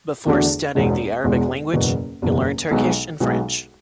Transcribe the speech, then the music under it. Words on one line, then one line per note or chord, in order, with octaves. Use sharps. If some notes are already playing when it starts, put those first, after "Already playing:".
Before studying the Arabic language, he learned Turkish and French.
E2 D3 A3 D4 F#4
E1 E2 B2 G#3
E1 E2 B2 G#3
F#1 E2 B2
F#1 E2 B2
B1 B2 G#3
B1 B2 G#3